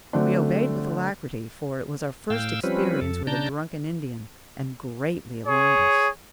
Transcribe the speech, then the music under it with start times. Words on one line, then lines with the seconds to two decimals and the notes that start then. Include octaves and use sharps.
We obeyed with alacrity, for it was our first experience with a drunken Indian, and greatly alarmed us.
0.13 D3 F#3 A3 C4 D4
2.30 A2 F5 G5 E6
2.63 F3 G3 C4 C#4 B4
3.01 F2 A4
3.27 C#3 D4 A5 A#5 G6
5.47 G#4 C#5